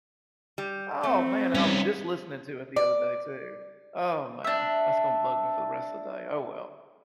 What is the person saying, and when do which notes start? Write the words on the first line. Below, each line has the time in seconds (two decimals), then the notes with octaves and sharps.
Oh, man. And I was just listening to it the other day too. Oh, man. That's gonna bug me for the rest of the day. Oh, well.
0.58 G3
1.03 A3 C4
1.55 G3 B3 C#4 D#4
2.76 D5
4.44 D4 E5